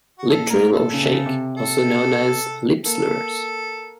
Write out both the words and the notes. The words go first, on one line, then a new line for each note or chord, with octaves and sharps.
Lip-Trill or Shake: Also known as "lip-slurs".
F#4
A#2 A4
A2 A#4
A#2 A4
C#3
C3
C#3
C3
A4
A#3 A4